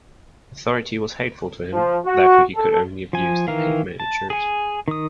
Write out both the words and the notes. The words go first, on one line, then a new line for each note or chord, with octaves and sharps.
Authority was hateful to him, therefore he could only abuse the pit-managers.
F3
F#4
A4
F3 G#5
D#3 E3 A#4 F5
A5
G#4 G#5
D#3 D#6